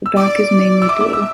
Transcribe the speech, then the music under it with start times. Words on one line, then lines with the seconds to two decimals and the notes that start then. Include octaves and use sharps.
The back is mainly blue.
0.06 E6
0.16 D5 D6
0.82 E6
0.89 E5 D6
1.01 D6
1.13 E6